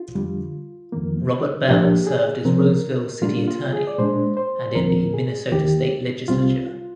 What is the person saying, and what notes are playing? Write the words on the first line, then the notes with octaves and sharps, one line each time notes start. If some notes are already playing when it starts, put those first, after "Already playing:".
Robert Bell served as Roseville City Attorney and in the Minnesota State Legislature.
Already playing: F4
F2 D3 G3
F2 D#3 A#3
C2 A#2 F3 A#3 D4 G4
G#4
C2 C3 F3 C4 A#4
A#2 G3 A#3 D4 F4
F4
G#4
D5
A#2 G#3 D4 C5
C5
D#2 D3 F3 C4 A#4
G#4
D#2 D#3 A#3 G4
C2 C3 G3 C4 F4
F4